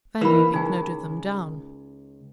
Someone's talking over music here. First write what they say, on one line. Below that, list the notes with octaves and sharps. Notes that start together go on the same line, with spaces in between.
Van Riebeek noted them down.
E3 A#3 D#4 A#4 B5
C#2 D#4 G#5